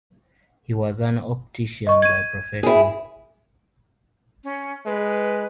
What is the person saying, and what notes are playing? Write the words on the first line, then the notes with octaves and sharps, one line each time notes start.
He was an optician by profession.
D#5 C#6
G#6 D#7
E4 G#4
C#4
G#3 B4